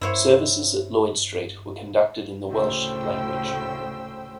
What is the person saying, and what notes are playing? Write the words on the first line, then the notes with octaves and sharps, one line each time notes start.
Services at Lloyd Street were conducted in the Welsh language.
G2 E4 C5 C#5
D2 A2 C#3 C5 G5 E6